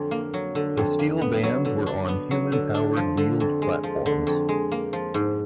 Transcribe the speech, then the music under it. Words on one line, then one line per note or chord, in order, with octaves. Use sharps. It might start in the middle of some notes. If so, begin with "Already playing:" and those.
The steel bands were on human-powered wheeled platforms.
Already playing: F2 D3 F#3
A#3
F#3
D3
F2
A#3
B3
F#3
D3
D4
B3
F#3
D3
D4
F3
D3
F2
G#3
F3
D3
F2
G#3
A#3
F3
G#2